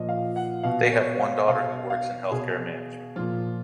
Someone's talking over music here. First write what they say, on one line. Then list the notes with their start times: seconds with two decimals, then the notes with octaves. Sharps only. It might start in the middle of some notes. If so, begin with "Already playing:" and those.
They have one daughter who works in healthcare management.
Already playing: A#2 F3 D#5
0.09 F5
0.36 F#5
0.63 B2 F5
0.92 C#5
1.20 F5
1.48 B2 F5
1.90 F5
2.31 B2 G#4
3.16 A#2 F3 F4